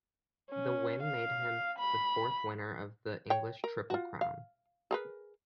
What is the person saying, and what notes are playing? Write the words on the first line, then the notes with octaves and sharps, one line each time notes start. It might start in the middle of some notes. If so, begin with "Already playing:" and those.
The win made him the fourth winner of the English Triple Crown.
C#4
F5
B5
C#5 G5
A#4
F4 F#4
F5
G#4 A#4 B4